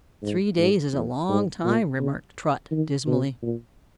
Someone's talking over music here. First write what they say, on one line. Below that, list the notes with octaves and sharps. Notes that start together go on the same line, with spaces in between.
"Three days is a long time," remarked Trot, dismally.
G#2
G#2
E2
G#2
A#2
C#3
D#3
B2
A#2